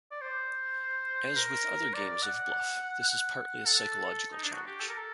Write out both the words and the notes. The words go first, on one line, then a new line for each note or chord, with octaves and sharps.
As with other games of bluff, this is partly a psychological challenge.
D5
C5
A#4
D5
F#5
F#5
A4
D#4
D4
F#4
G4
A4
A#4
A4